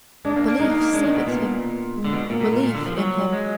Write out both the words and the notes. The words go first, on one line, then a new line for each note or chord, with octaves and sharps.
Belief saveth him; belief in him.
G#3 D4
A#3
A#3
G#3 D#4
A#3
A#3
G#3 D4
D#3
B2
A#2 B3
G#3
D3
B2
A#2 A#3
B2
A#2
A#2
D3
F3
F#3
G#3